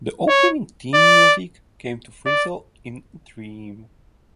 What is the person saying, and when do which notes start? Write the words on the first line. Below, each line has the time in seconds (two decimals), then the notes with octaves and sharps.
The opening theme music came to Frizzell in a dream.
0.29 C#5
0.94 D5
2.26 D5